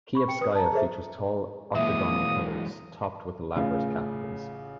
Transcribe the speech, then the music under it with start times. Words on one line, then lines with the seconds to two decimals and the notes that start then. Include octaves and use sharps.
Kiyevskaya features tall, octagonal pillars topped with elaborate capitals.
0.15 B5 C#6
0.28 G5 C#7
0.41 B4 D#6
0.55 A5 A#5
0.73 G#4 A4 C5 E5
1.75 E3 F#3 G#3 A#3 E5 D#6
3.55 A1 C#3 F4